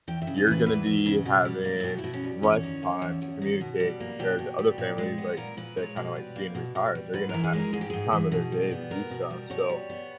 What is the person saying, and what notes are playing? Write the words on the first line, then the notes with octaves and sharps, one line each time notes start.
you're gonna be having less time to communicate compared to other families, like you said, kinda like being retired. They're gonna have time of their day to do stuff, so,
E2 G5
E5
C#3
D#5
E3 B4
E2 B4
E2
C#3
B2
G3
A#3
E4
B2 G4
E4
B2
C#4
G3
E2 C#4
D#3
A#3
E2
E2
D#3
B2
G3
A#3
B2 G4
B2
G3
A#2
G#3
B3
A#2 A#4
A#2 B4
G#3 C#5
B2 B4
G3
A#3
B2
B2
G3
G#2 B4
E3 A#4
G#4
G#3 A#4
G#2 G#4
G4
G#2 G#4
E3
B2
G3
B3
B2 A#4
B2
G3
B2 C#5
G3
B3